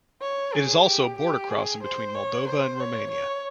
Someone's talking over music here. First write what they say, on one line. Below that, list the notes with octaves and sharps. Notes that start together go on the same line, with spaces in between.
It is also a border crossing between Moldova and Romania.
C#5
G#4
G4
G4
G#4
C5
C#5
C5
C#5
C#5